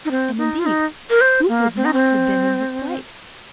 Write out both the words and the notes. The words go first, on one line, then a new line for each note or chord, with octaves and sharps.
And indeed who would not have been in his place?
D#4
C4
D#4
F4
D#4
A#4
C5
A#3
C4
D#4
C4